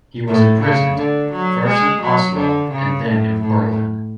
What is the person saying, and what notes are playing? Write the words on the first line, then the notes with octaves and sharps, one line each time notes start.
He was imprisoned, first in Oslo and then in Berlin.
A2
C#3
D3
F#3
G#3
F#3
D3
C#3
A2
A2